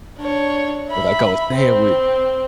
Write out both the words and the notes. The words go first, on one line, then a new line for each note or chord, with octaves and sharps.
Like I was saying with
D4 C#5
E5 B5
C4